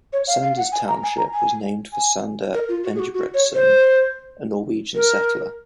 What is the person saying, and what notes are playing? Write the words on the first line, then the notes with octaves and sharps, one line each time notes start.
Sanders Township was named for Sander Engebretson, a Norwegian settler.
C#5
F5
F5
F#5
G#5
A#5
G#5
A#5
G#5
G#5
A#4
F4
F#4
G#4
F#4
F#4
C#5
C5
A#4